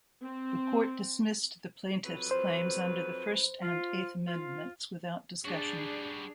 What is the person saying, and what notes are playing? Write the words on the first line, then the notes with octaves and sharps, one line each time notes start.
The Court dismissed the plaintiffs' claims under the First and Eighth Amendments without discussion.
C4
F2 F#3 B4
C5
F4
F4
G3 D4 F#4 G#4